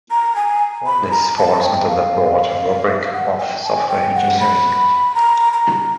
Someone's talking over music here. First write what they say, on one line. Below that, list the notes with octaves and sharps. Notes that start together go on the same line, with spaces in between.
All this falls under the broad rubric of software engineering.
A#5
G#5
B5
A#5
A5
G#5
G5
F5
E5
F5
F#5
G#5
G5
A5
G#5
G5
F#5
B5
A#5
A#5